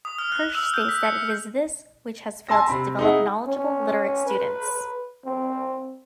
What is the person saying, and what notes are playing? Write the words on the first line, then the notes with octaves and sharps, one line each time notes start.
Hirsch states that it is this which has failed to develop knowledgeable, literate students.
D#6
F6
F#6
E6
G6
B6
C#7
G#5 A5 C6 E6 A#6
C3 C4 B5
D#4 E4 G#4 F#5
C#4
B4
C4